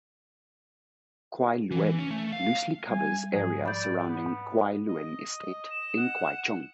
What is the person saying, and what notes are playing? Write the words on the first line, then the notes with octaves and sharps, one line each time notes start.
Kwai Luen loosely covers area surrounding Kwai Luen Estate in Kwai Chung.
E3
C#4
A3
F5
G3 G#5
G#2 F3 G#4
D5 B5 G6
B3
D#5
E7
F#5